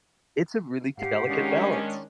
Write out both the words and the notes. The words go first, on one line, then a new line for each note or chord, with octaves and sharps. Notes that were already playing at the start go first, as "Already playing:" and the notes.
It's a really delicate balance.
G#2 G4 F5 F#5
D#3 G#3 C#4 D4